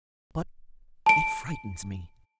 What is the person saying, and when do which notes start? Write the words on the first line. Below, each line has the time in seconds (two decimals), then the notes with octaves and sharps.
But--... it frightens me.
1.06 A5 D7